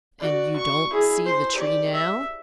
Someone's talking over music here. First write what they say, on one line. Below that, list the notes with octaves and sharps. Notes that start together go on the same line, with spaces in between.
"And you don't see the tree now?"
F#4 D5
C#6
E4 G#4
C5 C6
G4 D5
E5